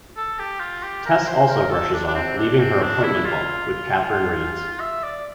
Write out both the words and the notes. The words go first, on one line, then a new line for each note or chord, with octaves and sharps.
Tess also rushes off, leaving her appointment book, which Katharine reads.
A4
G4
F4
G4
A#4
C5
A#4
A4
D4
D4
C4
D4
C4
D4
E4
F4
E5
D5